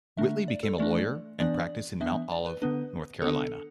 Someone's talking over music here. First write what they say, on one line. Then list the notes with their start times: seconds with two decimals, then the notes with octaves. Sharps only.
Whitley became a lawyer and practiced in Mount Olive, North Carolina.
0.17 D3 A3 D4 E5
0.48 D5
0.63 A4
0.78 E3 A3 D4 D5
1.40 E3 B3 D4 D5
2.01 E3 B3 D4 E5
2.32 D5
2.46 B4
2.62 D3 B3 D4 B4
3.22 D3 B3 D4 A4